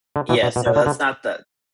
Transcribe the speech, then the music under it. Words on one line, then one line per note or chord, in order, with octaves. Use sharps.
Yeah, so that's not the
D3
B2 E3
B2
B2
B2
D3
D3